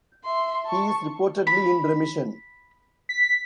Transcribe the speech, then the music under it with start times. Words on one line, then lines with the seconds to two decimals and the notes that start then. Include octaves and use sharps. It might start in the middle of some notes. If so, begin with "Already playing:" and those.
He is reportedly in remission.
0.24 E5 C6
0.65 A5 C#6
1.47 B5
3.09 B6